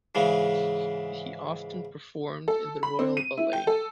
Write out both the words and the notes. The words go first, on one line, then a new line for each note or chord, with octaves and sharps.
He often performed in the royal ballet.
G#2 C#3 E3 G#3
A4
B5
C4
D#7
E4
G5
A4